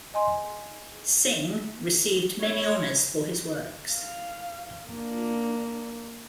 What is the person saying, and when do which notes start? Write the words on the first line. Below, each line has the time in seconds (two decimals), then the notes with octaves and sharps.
Synge received many honours for his works.
0.14 D#5 G#5 C6
2.39 E4 C#5
3.92 F5
4.88 A#3 D4